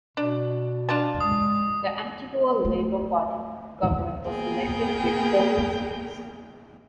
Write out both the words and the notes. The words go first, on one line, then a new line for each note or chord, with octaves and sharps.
The Antigua Labour Party government was elected with fourteen seats.
B2 D4
D4 F4 A5
G#3 D#6
A3
A#3 B3 G#4 A#4 G5